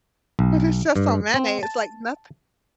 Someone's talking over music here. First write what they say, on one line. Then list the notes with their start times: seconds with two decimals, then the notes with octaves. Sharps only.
But it's just on mayonnaise, it's like nothing.
0.39 B1
0.96 G2
1.34 C4
1.63 A5